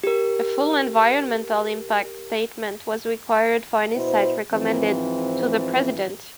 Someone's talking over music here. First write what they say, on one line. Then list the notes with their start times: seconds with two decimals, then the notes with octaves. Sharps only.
A full environmental impact statement was required for any site recommended to the President.
0.04 G4 A#4
3.95 B2 E4 C5
4.51 G#2 E3 F3 C4